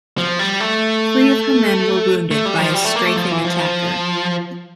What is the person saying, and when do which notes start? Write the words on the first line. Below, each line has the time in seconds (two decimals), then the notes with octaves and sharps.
Three of her men were wounded by a strafing attacker.
0.18 F3
0.39 G3
0.60 A3
2.31 A3
2.45 G3
2.60 F3
2.74 G3
2.85 A3
2.96 A#3
3.06 A3
3.16 F3
3.31 E3
3.45 F3